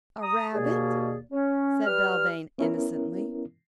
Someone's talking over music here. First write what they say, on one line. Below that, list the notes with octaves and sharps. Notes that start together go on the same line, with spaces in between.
"A rabbit?" said Belvane innocently.
A#5 D#6
D#2 B2 A#3 G#4 D5
C#4
G3 B4 F6
B3 C#4 E4 A#4